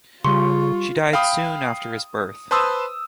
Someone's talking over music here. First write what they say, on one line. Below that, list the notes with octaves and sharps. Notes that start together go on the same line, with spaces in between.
She died soon after his birth.
C#3 G3 F4 C6 C#6
F5 G5 B5 D#6
B4 C5 A5 C6 D#6 E6